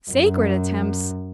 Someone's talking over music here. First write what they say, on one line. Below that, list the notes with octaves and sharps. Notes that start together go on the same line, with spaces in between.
Sacred attempts!
F#2